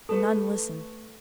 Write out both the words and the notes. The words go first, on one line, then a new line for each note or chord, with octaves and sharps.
The nun listened.
A3 A4 B4 A5